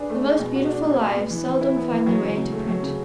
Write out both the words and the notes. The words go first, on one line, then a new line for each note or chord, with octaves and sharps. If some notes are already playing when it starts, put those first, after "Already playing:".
The most beautiful lives seldom find their way into print.
Already playing: D4 G#4 B4
A3
G#3
B2
F#4
D4
G#3
B2
B3
E3
E3
E4
B3
E3
F#3
C#3
C#3
A3
F#3
C#3